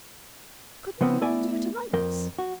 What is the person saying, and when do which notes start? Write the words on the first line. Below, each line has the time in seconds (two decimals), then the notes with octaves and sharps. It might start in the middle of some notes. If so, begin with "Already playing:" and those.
"Couldn't we all do it among us?"
1.01 C#3 F3 B3 C4
1.21 A3 B3 E4 D5 G#5
1.93 F2 A#4 G5
2.39 F#4